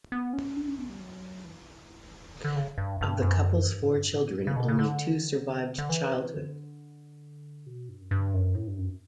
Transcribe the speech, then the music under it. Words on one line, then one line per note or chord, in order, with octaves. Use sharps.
Of the couple's four children only two survived childhood.
B3
C#4
D4
C#4
B3
G3
F#3
E3
D3
D3
C#3
G2
G2
F#2
G2
A2
G2
A2
C#3
B2
C#3
D3
D3
E3
D3
B2
G2
F#2
G2
F#2
A2
G2
F#2